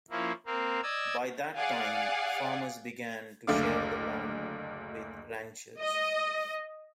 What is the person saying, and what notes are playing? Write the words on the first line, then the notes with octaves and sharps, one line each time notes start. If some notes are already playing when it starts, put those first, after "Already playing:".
By that time, farmers began to share the land with ranchers.
F3 A#3 C#4 E4
A#3 C4 A#4
D5 D#5 E6 G#6
G#4 D5 F5 F#5
F#1 D2 A3 D4 F5 D6
D#5